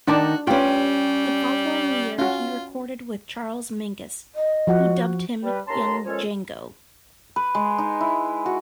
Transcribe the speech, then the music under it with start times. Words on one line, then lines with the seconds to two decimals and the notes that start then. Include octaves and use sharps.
The following year he recorded with Charles Mingus, who dubbed him "Young Django".
0.08 D#3 D4 D#4 F#4 D5 A5
0.47 G3 C#4 F4 G4 B4 G5
2.18 C#4 F4 F#4
4.35 D#5
4.67 F3 F#4 F#5
5.43 G3 B4
5.67 D#2 C#4 G4 A5 A#5 C6
6.05 A#2 F3 G#3 C#4 A4 C#5
7.36 B4
7.55 G#3
7.78 D#4
8.01 E4
8.46 F#4